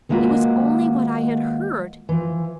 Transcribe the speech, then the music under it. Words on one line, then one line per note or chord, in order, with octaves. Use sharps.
It was only what I had heard.
D#3 G#3 A#3 F4 F#4 B4
E3 F3